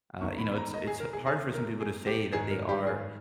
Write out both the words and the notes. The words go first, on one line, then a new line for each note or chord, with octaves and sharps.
Uh, you know, it's it's hard for some people to say that they are
E2 D#3 C#6
B5
B5
A#5
D#5
G#4
A#4
G#4
G#4
A#4
G#4
G4
G#2 D#3 G#4
A#4
G4
G#4